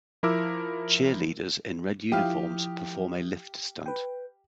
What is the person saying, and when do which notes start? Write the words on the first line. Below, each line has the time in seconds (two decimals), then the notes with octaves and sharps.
Cheerleaders in red uniforms perform a lift stunt.
0.23 F3 E4 A#4 D6 E6
2.12 F3 E4 G4 F5 D#6
3.86 B4 G5